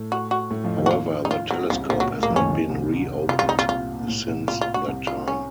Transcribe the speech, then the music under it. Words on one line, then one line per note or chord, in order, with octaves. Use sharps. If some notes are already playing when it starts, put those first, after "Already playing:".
However the telescope has not been reopened since that time.
Already playing: A2 A3
F#4
F#4
A2 A3
F2 F3
D#2 D#3
F#4
F4
D#4
F4
F#3
A#2
C2 C3 F3
C#2 C#3
A#2 F3
F#3
A#2 A#3
A2 A3
A#3
F2 F3
D#2 D#3 C#4
D#2 D#3
C2 C3
C2 C3 F4
F4
C2 C3
D#4
A#2 F4
C2 C3 F4
A#2
A#2
A#2
A2
A#2
C2 C3
A#2
F4
F4
F#4
C2 C3
F4
C#4